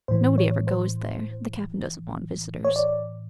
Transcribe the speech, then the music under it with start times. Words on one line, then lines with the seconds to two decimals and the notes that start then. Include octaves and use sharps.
Nobody ever goes there--the Captain doesn't want visitors.
0.08 A2 E3 C5
0.38 C#5
0.67 C5
2.65 C#5
2.76 D5